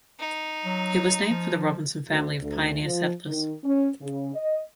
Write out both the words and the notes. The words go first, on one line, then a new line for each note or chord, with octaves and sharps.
It was named for the Robinson family of pioneer settlers.
D#4
F#3
F3
D2
D2
F3
D#3
C#4
C#3
D#5